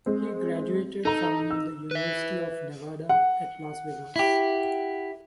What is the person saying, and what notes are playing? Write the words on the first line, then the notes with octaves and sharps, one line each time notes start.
He graduated from the University of Nevada at Las Vegas.
G#3 C4
D#4 A4 A#5
E6
B4 E5
F#5
E4 G4